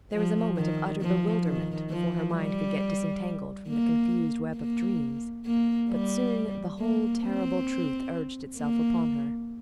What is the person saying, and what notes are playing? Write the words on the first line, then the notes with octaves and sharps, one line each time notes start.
There was a moment of utter bewilderment before her mind could get disentangled from the confused web of dreams; but soon the whole terrible truth urged itself upon her.
F3
D#3
F3
D#3
F3
G3
A#3
A#3
A#3
G3
A#3
C4
A#3